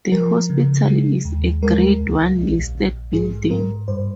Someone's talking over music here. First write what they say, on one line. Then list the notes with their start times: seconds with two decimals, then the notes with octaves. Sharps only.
The hospital is a grade one listed building.
0.12 F3 A#4
0.50 C#3
0.87 G#3
1.25 D#2
1.62 G#3 A#4
2.00 C#2
2.38 A#1
2.75 A#1
3.13 G#2 G#4
3.51 G#2 A#4
3.88 G2 C5